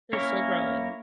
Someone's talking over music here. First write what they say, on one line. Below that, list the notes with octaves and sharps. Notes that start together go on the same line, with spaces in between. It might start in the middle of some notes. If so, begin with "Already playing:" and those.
They're still growing.
A#3 C#4 E4 A#4 C#5